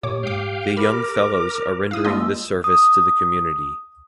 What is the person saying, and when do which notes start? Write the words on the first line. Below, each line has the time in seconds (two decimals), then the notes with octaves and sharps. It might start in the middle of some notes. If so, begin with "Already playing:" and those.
The young fellows are rendering this service to the community.
0.03 A#2 G4 C#5 D6
0.23 G#2 F5 G5 D6
0.77 A#4 B5 D6
1.91 E4 F5 D#6
2.05 G#3 A#3 D4 F4 D#5 E6
2.64 D#6